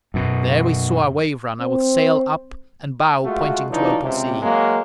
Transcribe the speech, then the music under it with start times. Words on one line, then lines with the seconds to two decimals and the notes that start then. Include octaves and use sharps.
There we saw our 'Waverunner' with sail up and bow pointing to open sea.
0.14 F#2 B2
1.61 C4
3.24 G#3 A3 F4 F#4
3.70 E3 F#3 D4 D#4 F4
4.02 C#2 C3
4.43 F#3 G#3 A#3